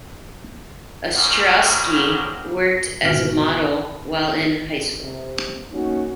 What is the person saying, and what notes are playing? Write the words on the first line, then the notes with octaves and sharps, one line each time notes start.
Ostrosky worked as a model while in high school.
A#2 C#3 F#3 G3 C4 A#4
G#1 D2 B2 F6 D7
C3
A#3 C#4 D#4 F#4